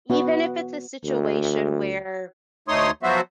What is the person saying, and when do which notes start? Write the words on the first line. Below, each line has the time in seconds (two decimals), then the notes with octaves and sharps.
even if it's a situation where,
0.10 B3 F#4
1.05 D2
2.68 D2 A3 D#4 C#5 C6 D#6
3.03 F3 F#3 B3 F#4 C5 E5